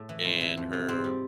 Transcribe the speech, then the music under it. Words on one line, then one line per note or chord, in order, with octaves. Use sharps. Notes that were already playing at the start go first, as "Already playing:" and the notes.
and her
Already playing: A2 A3
E3
F2
E3
F2
C3
G#2 C4
G3